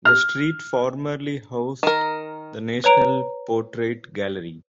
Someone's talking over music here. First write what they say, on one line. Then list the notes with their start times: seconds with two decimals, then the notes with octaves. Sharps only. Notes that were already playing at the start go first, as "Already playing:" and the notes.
The street formerly housed the National Portrait Gallery.
0.05 F6
1.83 D#3 A#4
2.84 B4 C#5 A#5 D7